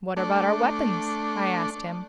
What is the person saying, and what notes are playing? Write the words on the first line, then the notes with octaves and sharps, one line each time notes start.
"What about our weapons?" I asked him.
A3 D4